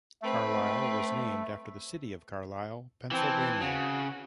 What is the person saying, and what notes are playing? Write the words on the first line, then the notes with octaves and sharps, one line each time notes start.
Carlisle was named after the city of Carlisle, Pennsylvania.
A3 C4 B4
E3 C4 A5
C#3 F#4